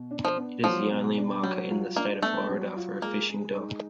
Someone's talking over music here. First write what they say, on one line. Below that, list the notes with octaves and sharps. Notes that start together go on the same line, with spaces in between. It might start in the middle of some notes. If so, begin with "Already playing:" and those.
It is the only marker in the State of Florida for a fishing dock.
Already playing: B2
D4
F3
B3
F3 F#3
B2
D4
F#3 G3
F4
A#3 D4
A3 B3
F#3
F4
G#3 A#3
G#3
D#4